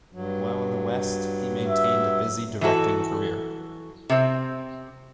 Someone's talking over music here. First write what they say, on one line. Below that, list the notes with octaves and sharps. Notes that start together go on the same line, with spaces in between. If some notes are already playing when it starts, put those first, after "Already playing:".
While in the West he maintained a busy directing career.
G2 F#3
E5
E3 F#3 F#4 A4
C3 C4